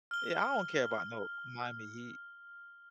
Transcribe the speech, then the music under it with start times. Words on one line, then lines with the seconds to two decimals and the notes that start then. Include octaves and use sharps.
Yeah, I don't care about no Miami Heat.
0.11 F6 G7